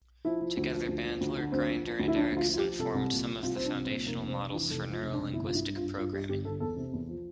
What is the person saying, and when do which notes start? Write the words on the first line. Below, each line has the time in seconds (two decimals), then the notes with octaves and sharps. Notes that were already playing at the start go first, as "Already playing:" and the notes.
Together Bandler, Grinder, and Erickson formed some of the foundational models for Neuro-linguistic programming.
0.25 F3 E4
0.41 F3
0.57 D2
0.73 F3
0.89 D2
1.05 F3
1.21 D2
1.36 D3
1.52 D2 C4
1.69 F3
1.85 F3
1.99 D2
2.08 E4
2.15 F3 D4
2.32 D2 F4
2.48 F3
2.54 F4
2.58 G4
2.64 F3
2.79 C2 A4
2.95 C2
3.11 A#2
3.27 F3
3.42 C2 F4
3.56 F3 C4
3.64 D4
3.75 C2
3.85 C4
3.90 A#2
4.06 F1 A#3
4.22 F1
4.28 C4
4.39 F1
4.48 D4
4.54 E3
4.70 F1 A4
4.86 F1
4.91 F4
5.02 F1
5.12 D4
5.18 F1
5.33 G1 E4
5.45 G2 F4
5.55 E4
5.65 G2
5.76 F4
5.81 G2
5.97 G2 F4
6.13 G2 G4
6.29 G1 G4
6.45 G1 A4
6.60 E2 A4
6.77 C3
6.93 E2
7.09 F3